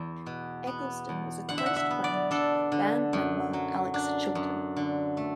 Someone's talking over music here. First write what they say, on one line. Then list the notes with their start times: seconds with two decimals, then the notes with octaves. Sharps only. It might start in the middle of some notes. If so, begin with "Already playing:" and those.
Eggleston was a close friend of band member Alex Chilton.
Already playing: E2
0.26 B2
0.67 B3
1.09 E2
1.49 D3 F#5
1.58 E5
1.66 F#5
1.76 E5
1.90 B3
2.04 D5
2.31 D4 A4
2.72 D3
3.13 F#2
3.53 F#3
3.94 D4
4.35 F#2
4.76 D3
5.17 A3